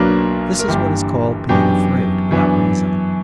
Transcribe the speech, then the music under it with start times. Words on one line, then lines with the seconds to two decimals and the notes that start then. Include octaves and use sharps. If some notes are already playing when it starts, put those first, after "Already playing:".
This is what is called being afraid without reason.
Already playing: B1 B2 F#3 A#3 D4 B4
0.59 A#4
0.68 G1 G2 E3 A#3 D4 G4
1.49 F#2 E3 B3 D4 G4
2.31 F#2 E3 B3 D4